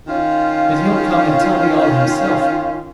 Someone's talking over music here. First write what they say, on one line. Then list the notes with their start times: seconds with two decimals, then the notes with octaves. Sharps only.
But he'll come and tell me all himself.
0.07 D#3 C#4 F4